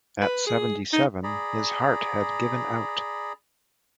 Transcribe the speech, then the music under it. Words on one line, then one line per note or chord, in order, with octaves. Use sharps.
At seventy-seven, his heart had given out.
B4
G#4
D#4
G#4 D5 A#5 B5